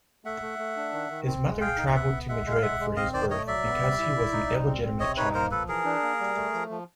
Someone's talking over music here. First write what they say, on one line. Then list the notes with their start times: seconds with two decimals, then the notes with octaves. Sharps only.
His mother travelled to Madrid for his birth, because he was an illegitimate child.
0.25 A3 E5 F#5
0.41 A3
0.59 A3
0.76 D4
0.93 D#3
1.10 D#3
1.26 C4
1.44 G#3
1.61 G#4 F5 G5
1.77 D#4
1.94 B3 E5 F#5
2.11 B3
2.29 G#3 E5 F#5
2.46 G#3
2.51 F5
2.62 G#3 E5 F#5
2.80 G#3
2.96 C4 D#5 F5
3.13 D#3 C5 D5
3.30 A3 C#5 D#5
3.47 F#3 D5 E5
3.65 B3
3.81 G3
3.99 E4
4.16 E4
4.32 D#4
4.49 G3
4.66 C4
4.84 C4
5.00 C3 C#5 D#5
5.17 D#4 B4 C#5
5.34 A#3 A#4 C5
5.51 F3 A4 B4
5.68 E3 G#4 A#4
5.85 D4
6.03 A#3
6.20 G3
6.36 A3
6.54 F3
6.70 F3